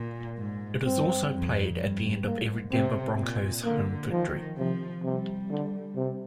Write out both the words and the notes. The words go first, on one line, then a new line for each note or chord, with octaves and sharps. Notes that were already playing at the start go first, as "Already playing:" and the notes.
It is also played at the end of every Denver Broncos home victory.
Already playing: A#2
G#2
G2 C4
F2
G2
G#2 A#3
C3 C4
A#2
D3 A#3
D#3 F3
C3 F3
C3 G3
D3
C3